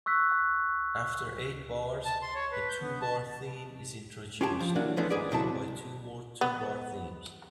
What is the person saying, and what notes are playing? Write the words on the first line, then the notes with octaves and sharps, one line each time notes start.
After eight bars, a two-bar theme is introduced, followed by two more two-bar themes.
C#6 E6 F#6 B6
A5
C6
C#5
B4
G6
B3
A5
C#4 F4 G4 G#4 G5 A5
F3
E3 F#3 A#3 D4 F#4
E3 F3 A3 B3 C#4 D4
G#4 B4 D5
D#2 C3 F#3 E4 A5
B3